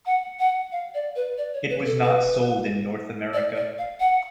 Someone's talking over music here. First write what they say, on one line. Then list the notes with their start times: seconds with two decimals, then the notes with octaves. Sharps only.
It was not sold in North America.
0.06 F#5
0.39 F#5
0.72 F5
0.94 D5
1.16 B4
1.38 D5
1.54 C#5
1.70 B4
1.86 A4
2.03 B4
3.34 D5
3.56 D5
3.78 F5
4.00 F#5